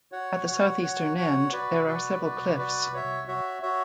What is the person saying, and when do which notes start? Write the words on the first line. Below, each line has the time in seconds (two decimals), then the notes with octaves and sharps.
At the south-eastern end, there are several cliffs.
0.12 F#4 C#5 F#5
0.47 F#4 C#5 F#5
0.81 F#4 C#5 F#5
1.17 F#4 C#5 F#5
1.52 F#4 B4 D5
1.87 F#4 B4 D5
2.23 F#4 B4 D5
2.57 F#4 B4 D5
2.92 F#4 C#5 E5
3.28 F#4 C#5 E5
3.62 F#4 C#5 E5